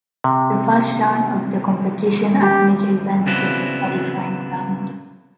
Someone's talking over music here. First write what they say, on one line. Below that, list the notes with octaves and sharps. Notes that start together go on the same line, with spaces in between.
The first round of the competition at major events is the qualifying round.
C3
G4
C#3 B3 C4 D4 E4 F#4